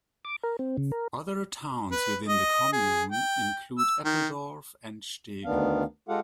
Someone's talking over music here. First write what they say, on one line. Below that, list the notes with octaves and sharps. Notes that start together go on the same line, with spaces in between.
Other towns within the commune include Eppeldorf and Stegen.
D6
A#4
C4
C#3
A#4
B4
D#5
G#4
G5
E6
D#3
D2 D#3 B3 D4 F5
G#3 F4 G4 A4 F5 F#5